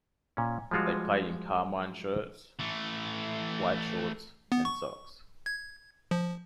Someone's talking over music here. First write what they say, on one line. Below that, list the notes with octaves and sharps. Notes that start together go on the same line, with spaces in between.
They play in carmine shirts, white shorts and socks.
A#2 C#4
F3 G3 G#3 F4 F#4
E3 A3
B3
C#6
G#6
F3